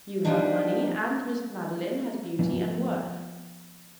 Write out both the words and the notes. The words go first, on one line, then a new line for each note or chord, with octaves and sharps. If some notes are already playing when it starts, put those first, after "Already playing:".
You have money, and Miss Madeline has beauty and worth.
F3 G3 A3 B3 D4 D#4
F3 B3